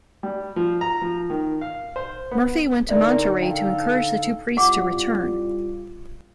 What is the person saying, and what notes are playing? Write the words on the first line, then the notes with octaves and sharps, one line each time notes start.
Murphy went to Monterrey to encourage the two priests to return.
G3
F3
A#5
F3
D#3
F5
C5
B3
E2 D3 A3 D#4 A#4 D5 E5
A4 F5 G5
C2 G3 F4 F#5 D6